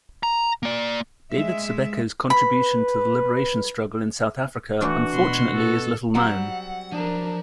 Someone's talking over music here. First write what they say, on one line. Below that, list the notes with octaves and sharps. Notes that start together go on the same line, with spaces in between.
David Sibeko's contribution to the liberation struggle in South Africa unfortunately is little known.
A#5
A#3 D5
G#3 E5
B4 B5
E3 A3 D4 F#4
B2 B5 C6
A4
F#3 G3 C4 F#5
F3 D4 A#4